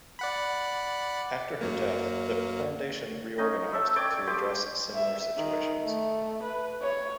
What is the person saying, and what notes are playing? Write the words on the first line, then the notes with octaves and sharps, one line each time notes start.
After her death, the foundation reorganized to address similar situations.
D5 F#5 B5
F#2 F#3 A#3
C#4 D#4 D#5
A4 E5 E6
C#5 D5 G5 D6
G4 C6 D6 D#6
E5
D#3
A3
B4
C#5